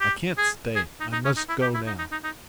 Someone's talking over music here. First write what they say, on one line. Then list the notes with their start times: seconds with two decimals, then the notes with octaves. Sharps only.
"I can't stay, I must go now...."
0.01 G4
0.38 G#4
0.76 G#4
1.00 D#4
1.12 D#4
1.25 C#4
1.37 D#4
1.49 E4
1.62 G4
1.74 E4
1.87 D#4
1.98 D#4
2.12 D#4
2.24 D#4